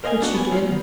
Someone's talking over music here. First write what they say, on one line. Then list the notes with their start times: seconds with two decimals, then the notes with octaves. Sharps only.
"Which you did?"
0.04 A#4 C5 D#5 F5 G#5
0.20 B3 D4 F#4
0.34 B3 G#5
0.51 F#3 F4 C5
0.66 D#3 B3